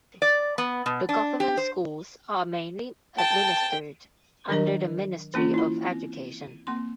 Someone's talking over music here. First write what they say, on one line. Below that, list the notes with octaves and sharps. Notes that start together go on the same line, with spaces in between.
The government schools are mainly administered under the Ministry of Education.
D5
B3
B2
D4
G4
C5
G5 A5
D#3 F#3 D4 A#4 D#5
E3 A#3 C#4 F4
E4 B5
C4
A#3 C4 C6